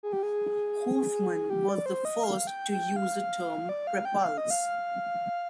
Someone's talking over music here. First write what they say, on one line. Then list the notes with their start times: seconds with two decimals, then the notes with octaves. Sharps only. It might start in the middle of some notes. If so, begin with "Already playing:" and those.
Hoffman was the first to use the term prepulse.
0.03 G#4
0.13 G4
0.23 G#4
1.50 G4
1.69 D5
1.86 C5
2.05 D#5
2.24 F5
2.47 G5
2.71 G5
2.96 F5
3.69 D5
3.87 F5
4.05 G5
4.24 F5
4.38 D#5
4.50 F5